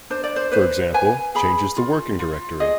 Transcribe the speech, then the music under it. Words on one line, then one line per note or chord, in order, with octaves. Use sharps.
For example, changes the working directory.
D4 C5
D5
C5
B4 C5
B4 G#5
G#4 B5
F4
F4
G#4 D#5